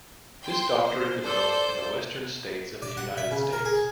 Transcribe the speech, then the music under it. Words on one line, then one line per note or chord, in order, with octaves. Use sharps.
This doctrine developed in the western states of the United States.
G5 C6
C5
A4 C5 D5 G6
D5
F#5
E5
C#3
A#4
G#4